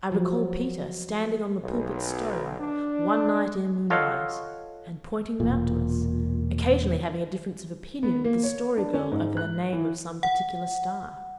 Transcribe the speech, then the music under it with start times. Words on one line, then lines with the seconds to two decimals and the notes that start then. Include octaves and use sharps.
I recall Peter standing on the Pulpit Stone, one night ere moonrise, and pointing them out to us, occasionally having a difference of opinion with the Story Girl over the name of some particular star.
0.12 F3 F#3
1.62 B1
2.60 D4
3.90 F4 A4 C#5 D#5 F5 F#5
5.40 E1 A#2
8.03 B3
8.24 A#3
8.43 C#5
8.77 D4
8.94 C#4
9.11 G#2
9.37 F#6
9.73 E3
10.23 F#5